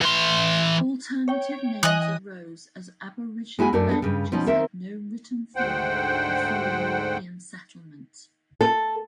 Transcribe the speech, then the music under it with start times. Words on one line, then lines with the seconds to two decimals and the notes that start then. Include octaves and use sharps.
Alternative names arose as Aboriginal languages had no written form before European settlement.
0.01 E3 C6
1.28 C#5 G5
1.83 E3 D#5 G#5 D#6 F#6
3.59 G#3 E4 F#4 G#5
3.73 F#2 A3 D4 F#4 A#4 D5
3.89 B3 D4 F4 A4
4.02 G2 C#3
4.32 B2 F3 C#4 D#4
4.47 D#3 C4 A#4 E5
5.56 D2 G#2 C5 F#5 G5
8.61 A4